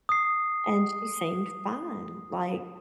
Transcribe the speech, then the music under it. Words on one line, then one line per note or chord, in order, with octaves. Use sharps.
and she seemed fine. Like
D#6 C7